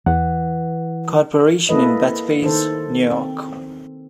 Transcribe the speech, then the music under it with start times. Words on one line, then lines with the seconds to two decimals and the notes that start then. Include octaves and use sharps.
Corporation in Bethpage, New York.
0.06 E2 E3 F#5
1.69 A#3 E4 A4 B4 D#5
2.42 D#3 A4 C5
3.11 C4